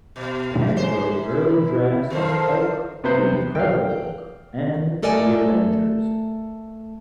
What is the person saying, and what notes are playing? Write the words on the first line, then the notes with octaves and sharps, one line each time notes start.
Penn wrote early drafts of "Hulk", "The Incredible Hulk", and "The Avengers".
B2
F#2 C5
E4
D#3 F3 A4 A#4 C5
C3 B3 B4 C5
F5 G5
A3 A4 A#4 D5 D#5 G#5